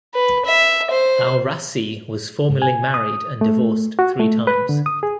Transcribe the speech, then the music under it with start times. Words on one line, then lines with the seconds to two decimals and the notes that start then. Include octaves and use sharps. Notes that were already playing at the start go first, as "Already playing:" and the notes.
El Rassi was formerly married and divorced three times.
0.14 B4
0.45 E5
0.90 C5
2.49 G#2
2.62 G#5
2.94 D#6
3.41 A3
3.99 F#4
4.20 A3
4.47 B4
4.69 D3
4.86 D#6
5.03 G#4